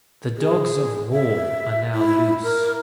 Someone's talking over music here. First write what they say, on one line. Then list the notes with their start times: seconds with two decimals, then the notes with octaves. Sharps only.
The dogs of war are now loose.
0.37 G#4
1.12 E5
1.94 E4
2.43 A#4